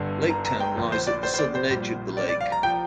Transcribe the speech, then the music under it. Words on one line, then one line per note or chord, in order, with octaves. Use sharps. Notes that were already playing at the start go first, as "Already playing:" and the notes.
Laketown lies at the southern edge of the lake.
Already playing: G1 G2 D3
A#5
A#5
G5
A#1 A#2 F3
C5
D5
C5
C5
D5
C5
A#1 A#2 G3
D5
D5
F5
A#5
F3 G5